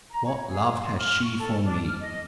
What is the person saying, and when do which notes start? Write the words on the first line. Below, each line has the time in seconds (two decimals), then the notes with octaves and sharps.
What love has she for me?
0.09 A#5
0.24 C#5
0.51 G#4
0.74 C6
0.98 F6
1.23 C#6
1.38 A4
1.64 D4
1.84 F6
1.98 D#5